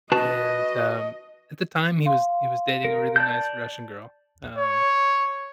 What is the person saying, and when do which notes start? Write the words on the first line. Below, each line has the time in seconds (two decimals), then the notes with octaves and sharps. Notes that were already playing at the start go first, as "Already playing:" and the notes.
And, um, at the time, he was he was dating a really nice Russian girl, um,
0.12 F#4 B4 D#5 A5
2.06 F5 C6
2.85 A#4
3.16 D5 A5 G6
4.58 C#5